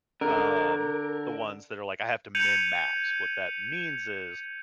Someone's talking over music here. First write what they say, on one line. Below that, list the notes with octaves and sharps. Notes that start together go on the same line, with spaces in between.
um, the ones that are like, "I have to mend max," what that means is,
D3 A#4
G6 G#6 C#7 D#7 F7 F#7